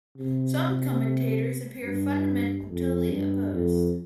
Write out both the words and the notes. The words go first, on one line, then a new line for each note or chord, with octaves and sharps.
Some commentators appear fundamentally opposed.
C3
G2
F2
G2
F2